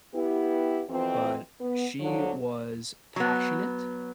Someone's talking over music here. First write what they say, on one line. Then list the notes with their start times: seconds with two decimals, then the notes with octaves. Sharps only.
But she was passionate
0.14 B3 E4 G4
0.89 F2 B2 E3 F3 C4
1.60 B3
2.00 D3 F3 F#3
3.16 F#3 B3